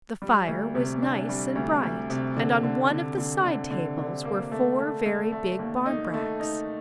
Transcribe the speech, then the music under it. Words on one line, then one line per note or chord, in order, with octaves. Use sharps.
The fire was nice and bright and on one of the side-tables were four very big barmbracks.
G3
D2
C3
D4
G3
D2
D2
C3
D3
D3
D3
D3
D3
D3
D3
A#3
A3
A3
A3
A3
D#2
D#4
A3
D#4